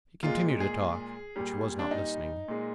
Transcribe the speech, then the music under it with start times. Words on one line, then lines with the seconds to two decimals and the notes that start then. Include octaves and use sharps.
He continued to talk, but she was not listening.
0.23 A#2 G#3 F4
0.60 G#4
1.36 A#2 G3
1.79 D4
1.91 D#4
2.48 A#2 G#3